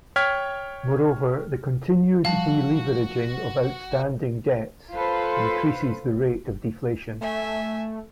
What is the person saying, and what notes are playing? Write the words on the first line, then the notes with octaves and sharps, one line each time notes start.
Moreover, the continued deleveraging of outstanding debts increases the rate of deflation.
C#5 G5 F6 G#6 B6
F3 G3 F#4 F5 A5
F4 A4 B4 C5
A3 E5 G#5